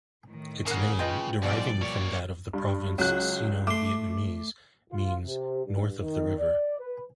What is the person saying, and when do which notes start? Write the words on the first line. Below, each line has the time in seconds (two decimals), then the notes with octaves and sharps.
Its name, deriving from that of the Province Sino-Vietnamese, means north of the river.
0.25 A2 D#3
0.67 C#3 A#3 F#5
0.99 F4 B4 D#5 G5
1.43 G#2 B2 F3 G3 D5
1.82 A#3 C#5
2.53 G2
2.98 C#2 F#3 F#6
3.67 A3 C6 D6
4.92 F4
5.25 C3
5.66 G2
6.01 D#3
6.39 D5
6.79 B4